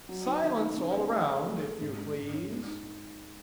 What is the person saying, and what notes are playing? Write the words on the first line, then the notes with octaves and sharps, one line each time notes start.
Silence all round, if you please!
F#3
D#4
D#3
D#4
C#3
B3
A3
G#4
A3
A4
G#2
G#3
G#2
C#4
G#3
D#4